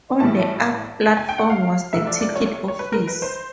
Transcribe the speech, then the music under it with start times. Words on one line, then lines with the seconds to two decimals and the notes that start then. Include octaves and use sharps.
On the up platform was the ticket office.
0.20 A2 E3 G3 A5
1.06 A5
1.17 G#5
1.29 G5
1.38 F#5
1.50 F5
1.93 C2 C3 F3 A3 E5
2.07 D5
2.21 D5
2.36 C#5
2.46 C#5
2.68 C#5
2.79 B4
2.92 A#4
3.08 B4
3.22 C5